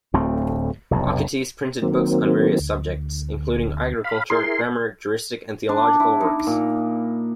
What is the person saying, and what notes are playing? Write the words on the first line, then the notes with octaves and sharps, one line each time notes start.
Achates printed books on various subjects, including agriculture, grammar, juristic and theological works.
D1 D2 A3 C4
F1 B1 G2
D#3 F#3 A#3 C4
D2
F5 B5
E4 G#4 A#4 C6
D4
E4
D#4
A#2